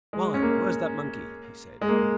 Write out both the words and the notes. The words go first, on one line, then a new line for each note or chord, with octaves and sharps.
"Why, where's that monkey?" he said.
G#3
C#4
A#3
G#3
A#3